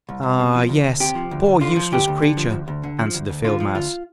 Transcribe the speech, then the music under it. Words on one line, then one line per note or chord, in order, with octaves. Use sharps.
'Ah, yes, poor useless creature,' answered the field-mouse.
C2
C2
C3
F3
D2
D2
C3 G4
F3
D2
D2
D3 F4
F3
D2 G4
D2
D3
F3
D2
D2
D3
F3
D2
D2
D3 F4
F3
D2 F4